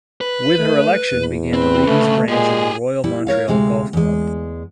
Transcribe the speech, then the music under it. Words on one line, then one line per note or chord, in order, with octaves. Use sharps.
With her election, began the Ladies' Branch of the Royal Montreal Golf Club.
B4
A3
E2
C4 B4
D2 C#3 A3
A#2 G#3 G4 G#4
G3 E4
A#4 C#5 F5
D2 C3 G#3 F5
E2 G#3